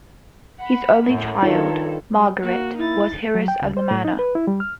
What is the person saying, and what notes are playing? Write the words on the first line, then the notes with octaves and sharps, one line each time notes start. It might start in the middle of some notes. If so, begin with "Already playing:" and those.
His only child, Margaret, was heiress of the manor.
F#5 B5
F#2 A2
G2 D#3 D#4 F4 A4 C#5
G3
A#3 F#4
D#4 E4 A6
F#3
G5
C#2
C5
A2
D#4
B4
E4
G3
F6